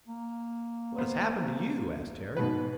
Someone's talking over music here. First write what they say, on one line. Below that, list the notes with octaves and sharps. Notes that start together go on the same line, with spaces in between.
"What has happened to you?" asked Harry.
A#3
B3 C5
G#2 B2 B4